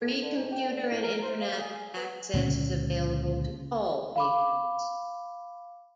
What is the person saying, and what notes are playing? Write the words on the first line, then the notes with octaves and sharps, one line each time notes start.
Free computer and internet access is available to all patrons.
A2
D3
G#2
G5
D3
A2
A#4
C5
F5
G#4
B3
C#2 A#2 D3 C#4
F5 B5 D6